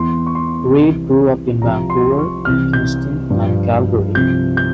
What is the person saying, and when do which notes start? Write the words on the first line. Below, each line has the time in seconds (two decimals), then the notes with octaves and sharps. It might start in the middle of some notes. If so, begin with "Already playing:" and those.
Read grew up in Vancouver, Kingston and Calgary.
Already playing: E2 E3 C6
0.27 C#6
0.35 C6
0.77 C2 C3 E3
1.62 C2 C3 F3 A#5
1.90 C6
2.18 C#6
2.45 C2 C3 E3 F6
2.73 G6
3.30 G2 F3
4.15 C2 C3 F3 G6
4.57 G6